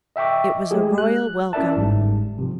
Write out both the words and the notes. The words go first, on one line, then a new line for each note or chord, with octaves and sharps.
It was a royal welcome.
D#5 E5 G5 C#6 D6
G#3 A3 G4 G#4
F#6
C#4 E4 A#4 D5 E5 A5
G1 G#2 G3
C3 F3